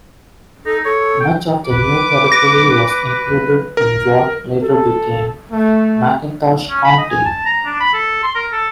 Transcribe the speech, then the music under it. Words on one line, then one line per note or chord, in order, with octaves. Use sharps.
Much of their new territory was included in what later became McIntosh County.
D#4 A4
A4 C#5
G5
B4 D6
A#6
A#4
A4
A3
C#4
B5
D#5
G#5
A5
A#5
D4
B5
A4
C6
A#4
A4